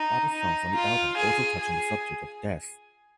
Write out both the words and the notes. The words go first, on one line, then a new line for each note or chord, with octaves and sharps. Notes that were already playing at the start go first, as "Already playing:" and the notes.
Other songs on the album also touch on the subject of death.
Already playing: D#4
D#4
F4
G#4
G#4